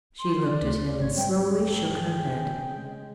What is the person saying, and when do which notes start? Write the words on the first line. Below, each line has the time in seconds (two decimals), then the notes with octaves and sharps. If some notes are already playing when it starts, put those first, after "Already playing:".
She looked at him, and slowly shook her head.
0.19 C6
0.46 D5
0.62 D2 A3 C4
0.98 A1 G#2 C#5 G#6
1.17 G3 G#3 C5 G5
1.58 E2 G#2 A4 G5
1.95 G#4
2.44 C#3
2.77 G#3